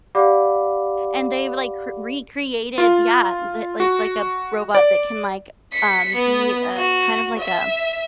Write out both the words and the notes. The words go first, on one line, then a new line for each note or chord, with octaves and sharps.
and they've, like, cr recreated yeah, the li it's, like, a robot that can, like, um, be a kind of like a
G4 D5 F5 F#5 B5 D6
F4
F#4
D5
B6 C#7
B3
F#4
E5